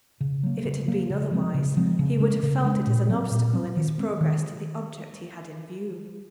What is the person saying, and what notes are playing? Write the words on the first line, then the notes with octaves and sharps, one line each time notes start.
If it had been otherwise, he would have felt it as an obstacle in his progress to the object he had in view.
C#3
F#3 A#3
C#3
F#3 A#3
C#3
F3 G#3 C4
C#3
F3 G#3 C4
C#3
G#3 C#4
C#3
G#3 C#4
A#2
F#3 C4
A#2
F#3 C4
D#3
G#3 C4
D#3